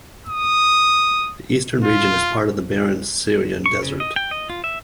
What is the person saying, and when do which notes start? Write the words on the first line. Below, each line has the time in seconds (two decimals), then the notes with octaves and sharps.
The eastern region is part of the barren Syrian Desert.
0.27 D#6
1.84 F4
3.66 C#6
3.82 C#3
4.00 D#5
4.16 G5
4.31 D#5
4.50 F4
4.64 E5